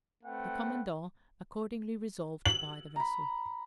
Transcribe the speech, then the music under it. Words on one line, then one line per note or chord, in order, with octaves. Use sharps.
The commandant accordingly resolved to buy the vessel.
A3 C4 B4 F#5 G5
F#7
A#5 B5